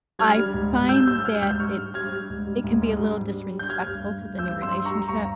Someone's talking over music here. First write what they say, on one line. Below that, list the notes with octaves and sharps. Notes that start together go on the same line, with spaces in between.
I find that it's it can be a little disrespectful to the new relationship.
G3 F6 G#6
G3
G#2
G#2
G3 E6 G6
G3 E6 G6
G3 F6 G#6
G#2 E6 G6
G3 C#6 F6
G3
G3 F6 G#6
G3
G#2
G3
G#2
G#2
G3
G3
G3
G3
G6
G3 F6 G#6
G2
G3
G2
G2 E6 G6
G3
C6 E6
G3
A#5 C#6
G3
G2 A#5 C#6